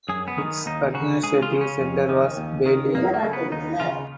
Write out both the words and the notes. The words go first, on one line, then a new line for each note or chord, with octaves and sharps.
Its administrative centre was Bely.
F#2 G#4
B3
D#3
D#2 D#4
C#3 F#4
C#2 G#4
F4
C#3
C#4
F2
D#3
D#2
D#3
F#2 A#3
A#3
C#3
B3
D#2 D#4
C#3 F4